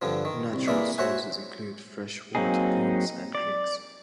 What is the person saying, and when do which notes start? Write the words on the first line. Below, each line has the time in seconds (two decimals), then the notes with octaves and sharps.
Natural sources include freshwater ponds and creeks.
0.02 G2 D3 F3
0.25 D#3
0.53 C2
0.67 E3 G#3 A#3 D5 E5
0.98 F#4 C5 C#5 E5 F#5 G#5
2.35 F#3 A#3 C4 D#4 G#4
3.35 D5